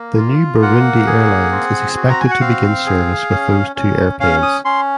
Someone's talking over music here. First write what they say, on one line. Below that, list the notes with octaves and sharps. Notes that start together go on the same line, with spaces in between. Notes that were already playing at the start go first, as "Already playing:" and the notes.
The new Burundi Airlines is expected to begin service with those two airplanes.
Already playing: A#3
F4
A#3 F#5
G#4
C4
F#4
A#5
G#5
F#5
C4 F5
G#4
C#4
C#4
C#4 F5
D#6
C#4 C6